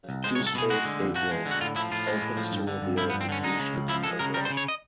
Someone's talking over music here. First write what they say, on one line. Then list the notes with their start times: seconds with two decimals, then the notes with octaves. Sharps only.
A two-storeyed gateway opens to reveal a U-shaped courtyard.
0.09 C2
0.24 G#3 C5
0.35 C#5
0.40 C2
0.47 A4
0.55 B2 G#4
0.70 G#3 F#4
0.85 D3
1.00 F2
1.15 F3 F#4
1.31 G#3
1.45 D3
1.51 F#4
1.61 A2 F4
1.76 F3 E4
1.91 A2 F4
2.07 G#3
2.21 A2
2.37 F3
2.52 G2
2.67 D3
2.82 G2
2.97 F3 E4
3.10 B3
3.13 G2
3.21 C4
3.29 D3 C#4
3.43 G#3 D#4
3.59 C#3
3.74 C#2
3.88 F3 E4
4.03 G#3 A4
4.19 C#3 A#4
4.34 G3 A#4
4.45 C5
4.50 C#3
4.57 C#5
4.68 D#5